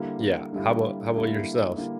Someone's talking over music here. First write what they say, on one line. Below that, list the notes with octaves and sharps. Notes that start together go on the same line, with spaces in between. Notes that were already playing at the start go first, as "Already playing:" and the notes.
Yeah, how 'bout how ‘bout yourself?
Already playing: D3 G3 A#3 E4
D3 G3 A#3 E4
D3 G3 A#3 E4
D3 G3 A#3 E4